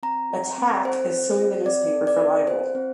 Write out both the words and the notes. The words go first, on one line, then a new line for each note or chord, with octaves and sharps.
Attack is suing the newspaper for libel.
C4 A#5
F4
C4
A4 C5
C4
F4
C4 D5
A4
D5
C4
F4 C5
C4